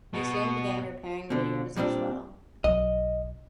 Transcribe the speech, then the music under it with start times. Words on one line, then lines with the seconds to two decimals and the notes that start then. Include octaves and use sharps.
He soon began repairing radios as well.
0.14 B2 F#4
1.30 B2 D3
1.76 A#2 G3 C4 D4
2.64 B1 F#3 D#5